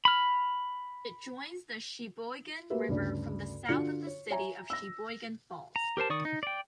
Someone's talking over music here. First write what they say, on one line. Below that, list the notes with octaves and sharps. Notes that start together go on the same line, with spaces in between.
It joins the Sheboygan River from the south in the city of Sheboygan Falls.
B5 F6
A#3 F#4 G4 A#4 B4 E5
D2 G2 C#3
D3 F4 F#4 C#7
C#5
C#5 E5 G#5 A#5
E6 A#6
A#5
G4 A#4 C5 A5
D#3 D5 C#6 D#6
D#4
D5 G5